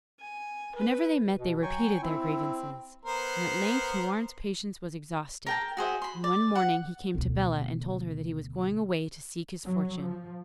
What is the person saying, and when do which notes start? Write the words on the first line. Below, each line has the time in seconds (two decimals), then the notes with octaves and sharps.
Whenever they met they repeated their grievances, and at length Houarn's patience was exhausted, and one morning he came to Bellah and told her that he was going away to seek his fortune.
0.21 G#5
0.75 B4
1.38 B2
1.62 F#3 G5 G#5 C#6
2.02 C4 E4
3.05 B3 A#4 C5
5.46 A#4 G5 A5
5.77 F#4 G#4 C5 E5
6.02 B5 C6
6.24 D5
6.55 F#5
7.15 D2 B2
9.64 F#3
9.99 F3